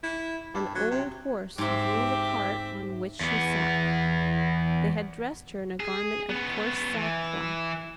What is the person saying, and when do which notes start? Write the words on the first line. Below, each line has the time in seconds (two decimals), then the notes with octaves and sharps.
An old horse drew the cart on which she sat. They had dressed her in a garment of coarse sackcloth.
0.03 E4
0.54 G2
0.75 F#3
0.91 C3
1.58 G#2 C4 G4 C5 E5
3.21 E2 B3
5.80 G#4
6.30 B3 C#4
6.94 E3